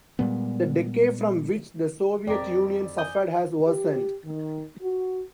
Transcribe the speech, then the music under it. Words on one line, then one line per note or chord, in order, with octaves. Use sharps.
The decay from which the Soviet Union suffered has worsened.
A#2 G3 G#3 B3
F2 G4 A#4 C5 D5 B6
G#5 D#6 G6 G7
G4
D#3
F#4